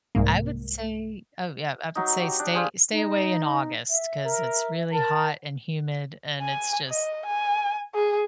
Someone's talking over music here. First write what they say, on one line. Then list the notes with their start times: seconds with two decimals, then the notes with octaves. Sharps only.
I would say oh yeah, I would say, "Stay stay away in August 'cause it's really hot and humid and it's just
0.15 C2 G#2 A#3
1.95 F#3 D#4
2.22 G4
2.39 D4
2.54 G4 G#4 C5 F5
2.92 D#4
3.90 E5
4.25 A#4
4.92 A#4 A5
6.42 G#5
6.89 D#5
7.25 G#5
7.94 G#4